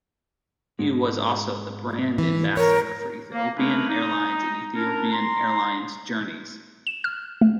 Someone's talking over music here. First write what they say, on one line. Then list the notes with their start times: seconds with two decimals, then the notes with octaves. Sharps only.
He was also the "Brand Ambassador" for Ethiopian Airlines and Ethiopian Airlines Journeys.
0.79 G#2 G#3
2.18 E3
2.57 A#4 C#5
3.33 A#3
3.56 A3 A#3 D4 G#4 A#4 B4
3.88 D#4
4.73 C#4 D4 E4 A#4
5.11 A#5 C6
6.87 E7
7.04 F6
7.41 A3